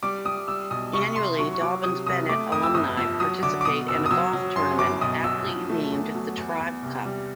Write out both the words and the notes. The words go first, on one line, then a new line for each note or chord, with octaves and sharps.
Annually, Dobyns-Bennett alumni participate in a golf tournament aptly named the "Tribe Cup".
G3 D6
G3 D#6
G3 E6
B1 D#6
C2 C#6
C2 C6
F#3 C#6
C#6
F#3 D6
C3 D#6
C2 D#6
A3 D6
F2 D#6
E6
G1 D#6
F3 E6
F#3 D#6
D3 D6
D6
B2 D#6
F#1 E6
D#6
F#3 E6
F#3
F#2 C6
G1 D6
B1 D#6
F#3 E6
F3
A3
E2
F#3
E2
E2
C2
G3